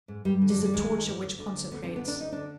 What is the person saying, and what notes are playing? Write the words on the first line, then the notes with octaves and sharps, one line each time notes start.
It is a torture which consecrates.
G#2
G2 G3
D3
G3
G2
G3
D#3 G#3
D#3
G2
D2
D3
D2
D2 B3
C4
D3
B3
D2 D4
D2 D#4
D3 D4